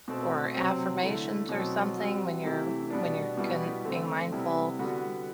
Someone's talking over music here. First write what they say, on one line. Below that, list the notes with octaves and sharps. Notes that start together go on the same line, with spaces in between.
or affirmations or something when you're when you're con being mindful,
B2 A3 C4
C3 F#3 C4
D3 A3 E4
B2 F#3 C4
G3 C4 F#4
C3 E3 A3 E4 G4
B2 G3 B3 D4
B2 G3 B3 E4 G4
D3 A3 C4
C3 G3 B3 E4
D3 G3 B3 F#4